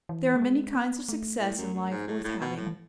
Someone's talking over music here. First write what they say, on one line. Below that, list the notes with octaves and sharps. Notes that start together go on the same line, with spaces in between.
There are many kinds of success in life worth having.
E3
A3
G#3
B3
A3
A2
F#2
F#2
G#2
A2
A2
B2
A2
E3